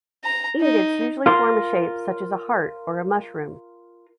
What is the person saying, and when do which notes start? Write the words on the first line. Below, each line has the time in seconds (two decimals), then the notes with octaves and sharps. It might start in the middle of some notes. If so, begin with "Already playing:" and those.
Ingots usually form a shape such as a heart or a mushroom.
0.24 A#5
0.61 D#4
1.26 F4 A#4 C6